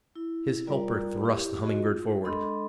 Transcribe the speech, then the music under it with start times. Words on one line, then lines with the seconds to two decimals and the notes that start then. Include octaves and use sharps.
His helper thrust the Humming-Bird forward.
0.16 E4
0.67 G3 F4 A#4 D5 A#5
1.24 E4 G4
1.63 F#4 G#4 D#5
1.76 F4
2.25 G#3 D4 A4 D#5 B5 C6